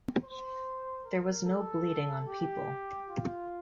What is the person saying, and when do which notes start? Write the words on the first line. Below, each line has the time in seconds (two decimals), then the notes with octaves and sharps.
There was no bleeding on people.
0.23 C5
1.05 A#4
1.45 A4
2.28 G4
3.09 F4